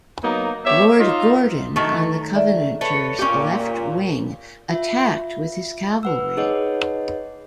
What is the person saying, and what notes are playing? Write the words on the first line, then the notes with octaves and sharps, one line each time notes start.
Lord Gordon on the Covenanters left wing attacked with his cavalry.
F#3 A#3 B3 D#4
B3 G4 C#5 E5
D#4 F4
D#3 F#3 A3
G#4 D5 E5
A4 B4 C#5
A#2 C#4 G4
F4 E5
B4 F#5 E6
D#4 G#4 B4 C#5 D#5 F#5